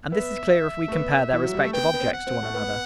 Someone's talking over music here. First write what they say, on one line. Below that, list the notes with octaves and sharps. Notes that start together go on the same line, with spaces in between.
And this is clear if we compare their respective objects to one another.
B3 E5
A3
B3
E3
F#3
G3
A3
B3 G5
B3
C4
F#5
C4
A3
B3